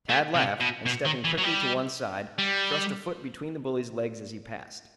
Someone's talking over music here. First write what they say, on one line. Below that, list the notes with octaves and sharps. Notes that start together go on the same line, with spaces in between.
Tad laughed, and stepping quickly to one side, thrust a foot between the bully's legs as he passed.
A3
C3
B2
B2
D#3
E3
F#3
G3
G3